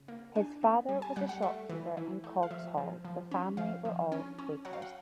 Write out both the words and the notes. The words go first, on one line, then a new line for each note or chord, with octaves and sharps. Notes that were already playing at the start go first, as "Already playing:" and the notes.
His father was a shopkeeper in Coggeshall; the family were all Quakers.
Already playing: C#3
A#3
D4 G#5
B3
G3
G#5
G3 F#5
F#5
A3
E3
E3
A3
F5
F3 E5
F3
F3
C#4
F3 F5
F3
C#4
C#4
F#3 F#5
F5
F#5